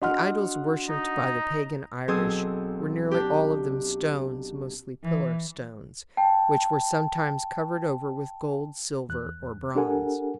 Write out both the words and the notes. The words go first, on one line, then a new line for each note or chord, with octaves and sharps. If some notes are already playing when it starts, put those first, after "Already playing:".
The idols worshipped by the pagan Irish were nearly all of them stones, mostly pillar-stones, which were sometimes covered over with gold, silver, or bronze.
D4 F#4 D#5 F#5 C6 F6
D#4 A#5
B1 C4 G#4 A4 D#6 G#6
D4 G4
E3
G5 A5
E2 F#6
D4 G4 A4 A#4 F#5 G#5